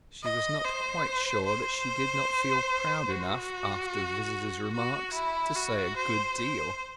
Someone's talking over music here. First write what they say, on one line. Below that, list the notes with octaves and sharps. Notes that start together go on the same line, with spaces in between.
She was not quite sure that she did not feel proud enough, after the visitor's remarks, to say a good deal.
D#5
C5
C5
F#4
F#4
E4
F#4
C5
C5